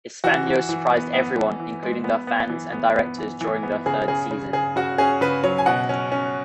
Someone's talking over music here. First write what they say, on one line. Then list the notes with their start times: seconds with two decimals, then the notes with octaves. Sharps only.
Hispano surprised everyone including their fans and directors during their third season.
0.24 E3 F#4
0.47 E3
0.69 E3
0.92 B3
1.14 B3
1.37 E3
1.60 E3
1.83 G#3
2.04 B3
2.27 B3
2.50 E3
2.72 B3
2.96 B3
3.18 E3
3.41 E3
3.63 B3
3.86 C#3 G#4
4.08 C#3 G#4
4.31 C#3
4.53 C#3 G#4
4.76 C#3 F#4
4.98 C#4 G#4
5.21 C#3 B4
5.43 F#3 C#5
5.58 G#5
5.66 B2 F#5
5.89 C#4
6.12 C#4